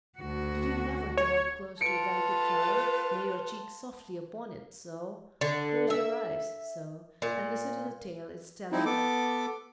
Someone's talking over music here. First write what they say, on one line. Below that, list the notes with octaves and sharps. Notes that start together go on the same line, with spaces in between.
Did you never draw up close to a delicate flower, lay your cheek softly upon it, so,--close your eyes, so,--and listen to the tale it's telling?
D2 F#4
C#5
F4 A4 B4 C#7 D7
D3
E5
A#2
F3 C4 D#4 E4
B3 A4 D6